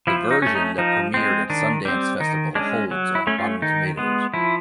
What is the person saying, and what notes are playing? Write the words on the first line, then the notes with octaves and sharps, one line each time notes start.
The version that premiered at Sundance festival holds on Rotten Tomatoes.
F3 E4
D#4
A3 C#4
D#4
F3 D#4
G#3 C4
D#3 D4
G3 C4
D#3 D#4
G#3 C#4 D4
F#3
E4
A3 C#4
F4
D#3 D#4
G#3 B3
F3 E4